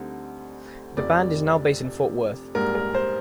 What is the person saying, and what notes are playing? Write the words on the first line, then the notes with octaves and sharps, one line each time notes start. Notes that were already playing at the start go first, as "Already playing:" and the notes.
The band is now based in Fort Worth.
Already playing: D2 D3 G3 C4 D#4
F1 F2 C3 D5
A#1 G#2 G3 A#4
A#4
C5